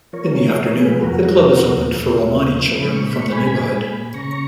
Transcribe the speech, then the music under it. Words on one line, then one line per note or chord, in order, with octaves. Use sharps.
In the afternoon the club is opened for Romani children from the neighbourhood.
F3 A#4 C#5
F3
G#3
F3 G#4 B4
F2 F#4 A#4
F3 F#4 A#4
F3 F#4 A#4
D#2
D#2
D#2
F3
C#3
G#3 B5
C#6
A#2 B5
C#6
A#2
G#5 B5
A#2 G#5 B5
G#3
A#2
C#3 A#5 C#6